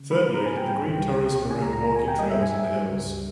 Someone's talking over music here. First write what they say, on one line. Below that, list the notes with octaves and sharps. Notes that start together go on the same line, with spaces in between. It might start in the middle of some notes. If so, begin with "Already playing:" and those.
Thirdly, the green tourism around walking trails in the hills.
Already playing: C#3
G3 B5
B5
G#2
A#5
G#2 G#5
G5
G3
G5
C#2
G3
C#2
B2
C#2 G#5
A#5
G#3
A#5
C#2 A#5
G#5
B2
G5
G3 D#5
E5
G2
G#5
G2
G3
C#2
G3